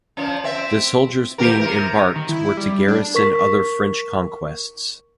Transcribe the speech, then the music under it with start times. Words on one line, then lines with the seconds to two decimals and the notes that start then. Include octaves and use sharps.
The soldiers being embarked were to garrison other French conquests.
0.17 F3 C#4
0.44 C4 E5
1.38 E3 G4 A#4
1.60 C3 A#4
2.16 D#3
2.29 E4
2.57 G3
2.88 D4
3.15 A#4 C#6 B6